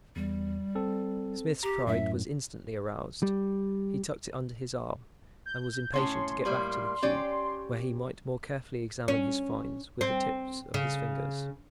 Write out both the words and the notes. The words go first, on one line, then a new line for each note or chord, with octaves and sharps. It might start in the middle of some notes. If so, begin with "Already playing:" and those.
Smith's pride was instantly aroused; he tucked it under his arm, and was impatient to get back to the cube, where he might more carefully examine his find with the tips of his fingers.
E2 G3
C4 A4
G4 A#5
F#2 A2 E5
G3
G6
A2 C#4 C#5 C6
A2 G3 A#3
C#4 G4 D5
C#4
C4
C#3